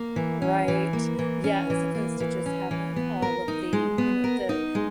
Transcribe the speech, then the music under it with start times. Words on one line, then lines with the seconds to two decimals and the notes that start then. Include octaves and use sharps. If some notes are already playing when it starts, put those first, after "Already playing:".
Right. Yeah, as opposed to just having all of the, you know, the
Already playing: A#3
0.16 E3
0.42 C#4
0.68 E3
0.93 A#3
1.19 E3
1.44 C#4
1.70 E3
1.95 A#3
2.20 E3
2.46 C#4
2.71 E3
2.96 B3
3.22 A#4
3.48 D#4
3.73 G#3
3.98 B3
4.24 A#4
4.49 D#4
4.75 G#3